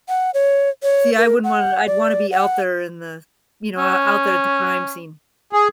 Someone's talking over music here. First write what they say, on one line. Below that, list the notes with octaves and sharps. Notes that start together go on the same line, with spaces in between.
See, I wouldn't want I'd want to be out there in the, you know, o out there at the crime scene.
F#5
C#5
C#5
A#4
F#5
D5
F#5
C#4
G#4